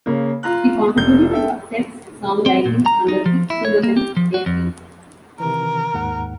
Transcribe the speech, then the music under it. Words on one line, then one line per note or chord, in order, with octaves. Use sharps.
She contributed to Accept's songwriting under the pseudonym Deaffy.
C#3 A#3
F4 A#5 F#6
F1 G6
A4 E5 G5
C4
A#2
A#5
D#4
F3
E4
C#5
A#3
G4
F3
F#4
F2
C3 D#3 E3 A#4
D#2 G#2 F#5